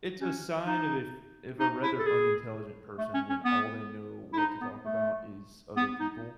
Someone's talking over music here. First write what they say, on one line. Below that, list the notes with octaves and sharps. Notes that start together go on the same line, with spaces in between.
it's a sign of if if a rather unintelligent person when all they know what to talk about is other people,
C#4
D#4
D#4
E4
A4
G#4
A3
C#4
C#4
B3
E4
D#4
B3
A3
B3
D#4